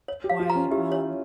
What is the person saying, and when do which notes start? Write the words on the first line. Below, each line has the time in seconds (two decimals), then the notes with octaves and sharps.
why um
0.08 C#5
0.24 G4
0.29 F5
0.39 F4
0.50 A#5
0.55 C#4
0.71 E4 G4
0.92 C#5